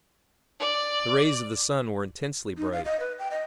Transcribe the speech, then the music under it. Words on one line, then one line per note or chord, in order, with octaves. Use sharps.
The rays of the sun were intensely bright.
D5
D#4
F5
D#5
B4
G5
D#5